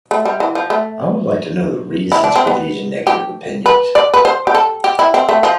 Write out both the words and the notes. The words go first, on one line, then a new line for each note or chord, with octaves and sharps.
I would like to know the reasons for these negative opinions.
A3
G3
E3
F3
A3
E4
D4
C4
B3
G4
B4
D5
B4
C5
G4
A4
G4
E4
C4
A3
F3